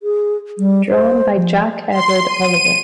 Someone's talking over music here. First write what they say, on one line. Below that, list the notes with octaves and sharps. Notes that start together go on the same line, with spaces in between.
Drawn by Jack Edward Oliver.
G#4
G3
C5
F3
C6
D#7